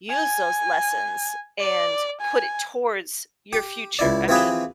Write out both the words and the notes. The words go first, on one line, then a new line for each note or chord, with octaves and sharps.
use those lessons and put it towards your future. I mean,
G#5
D5
G#5
G4
C#2 E4 D5
E3 C4 F4 G4 G#4 B4